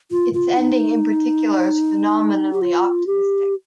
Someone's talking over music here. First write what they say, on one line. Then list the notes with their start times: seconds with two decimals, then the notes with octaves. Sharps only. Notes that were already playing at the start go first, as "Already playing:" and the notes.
Its ending in particular is phenomenally optimistic.
0.11 F4
0.34 F4
0.57 D#4
2.53 G4
2.61 F4
3.07 G4